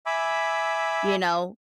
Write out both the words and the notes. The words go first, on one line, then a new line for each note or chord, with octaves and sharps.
you know?
E5 G#5 B5 D6 E6